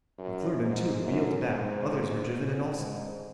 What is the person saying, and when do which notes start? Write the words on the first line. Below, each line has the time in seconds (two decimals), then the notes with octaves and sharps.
McClernand, too, reeled back, others were driven in also.
0.18 F#2
0.60 G#2
1.03 F#2
1.46 G#2
2.75 G#2